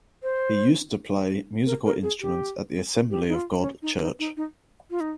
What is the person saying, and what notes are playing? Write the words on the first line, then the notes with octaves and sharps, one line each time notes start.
He used to play musical instruments at the Assembly of God Church.
C5
A#4
A#4
G#4
G4
G4
D#4
F4
C#4
D#4
D#4
D#4
D#4
F4
D#4